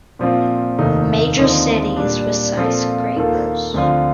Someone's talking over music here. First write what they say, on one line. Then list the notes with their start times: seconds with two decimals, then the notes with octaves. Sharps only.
Major cities with skyscrapers.
0.19 A#2 F3 C4 F4
0.78 F1 D#2 D#3 A3 D#4
1.37 D#2 D3 F3 C4 D#4
1.97 A#2 G3 D4
2.56 A#2 F3 C4 F4 A4
3.15 D#2 D#3 A#3 F4 A4
3.74 D2 D3 F3 C4 F4